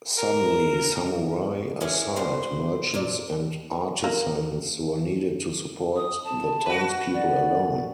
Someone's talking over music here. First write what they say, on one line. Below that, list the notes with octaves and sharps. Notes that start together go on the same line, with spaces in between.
Suddenly, samurai aside, merchants and artisans were needed to support the townspeople alone.
A#4
C#4 D4 E4 G#4 A#4 C#5
G2 B2 C5
A#2 A4 D5
A#3
D#6
A5
F#4 B4
D5